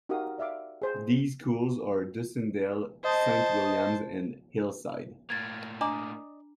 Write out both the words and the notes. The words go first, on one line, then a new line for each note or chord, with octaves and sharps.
These schools are Dussindale, Saint Williams and Hillside.
D#4 F#4 G4 A#4 F5 D#6
D5 E5 F5 D6
G#4 C5
C5 D#5 A5
A2 A#3 G#6 A6
D4 D5 D#5 A#5 D6